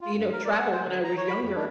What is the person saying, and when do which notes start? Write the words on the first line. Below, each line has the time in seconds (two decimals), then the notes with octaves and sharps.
you know travel when I was younger
0.01 F4
0.17 G2
0.33 A#4
0.45 D5
0.58 F#5
0.72 C5
0.86 D3
1.04 A#5
1.17 C#5
1.28 B5
1.42 F2
1.55 D4